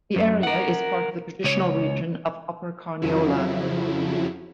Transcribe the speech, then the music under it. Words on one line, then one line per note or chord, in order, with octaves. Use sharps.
The area is part of the traditional region of Upper Carniola.
F#2
A#4 F#5
C#2 C#5
F2 C#3 F3 F#3 E4